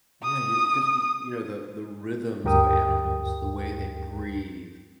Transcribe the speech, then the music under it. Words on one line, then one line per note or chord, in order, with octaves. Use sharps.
yeah, you 'cause, you you know, the the rhythms of animals, the way they breathe,
D#6
D2 G2 G4 A#4 G5 D#6